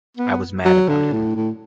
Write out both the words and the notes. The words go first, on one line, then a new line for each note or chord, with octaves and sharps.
I was mad about him.
B3
F#3
D3
A2
A2